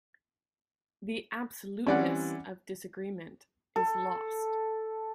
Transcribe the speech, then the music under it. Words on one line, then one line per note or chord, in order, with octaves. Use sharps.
The absoluteness of disagreement is lost.
E3 G3 C4 C#4 D5 F#5
A4